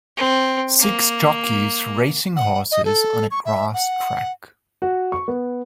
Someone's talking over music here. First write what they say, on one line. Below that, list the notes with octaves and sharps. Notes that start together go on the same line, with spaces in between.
Six jockeys racing horses on a grass track.
C4
A#3
F#5
D#5
A4
C#6
E5
F#5
F#4
C#6
B3